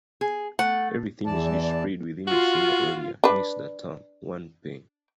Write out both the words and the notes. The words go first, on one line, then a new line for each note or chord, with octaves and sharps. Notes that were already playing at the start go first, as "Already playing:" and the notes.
Everything is displayed within a single area, hence the term "one pane".
G#4
A3 F#5
E2 E3 D5 A5
F4 F#4
D4 B4